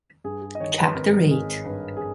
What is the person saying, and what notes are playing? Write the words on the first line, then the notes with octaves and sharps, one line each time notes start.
Chapter eight.
G2 G#4
G#4
D#5
D#3 C#5
B4
G#1 A#4
A#4
G#1 G#4
G2 B4
G#4